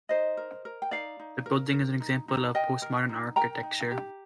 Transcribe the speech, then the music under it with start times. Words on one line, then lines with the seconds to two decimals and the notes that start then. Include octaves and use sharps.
The building is an example of Postmodern architecture.
0.09 D#4 C5 D#5
0.37 A#4
0.65 A#4
0.82 G5
0.91 D#4 D5 F5
1.19 D#4
1.46 A#4
1.73 A#4
2.00 D#4
2.28 D#4
2.54 A#4 D#5 G5
2.82 A#4
3.09 D#4
3.36 A#4 G5 A#5
3.63 D#4
3.91 G4